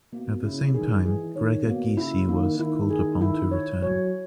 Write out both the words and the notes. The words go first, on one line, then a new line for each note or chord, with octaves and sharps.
At the same time, Gregor Gysi was called upon to return.
B2 A#3
C#3 E4
D#3 G#4
E3 G#4
D#3 C#5
B2 A#3
C#3 E4
D#3 A#3
D#3 E4
G#4
E4
C#5
F#3 C#5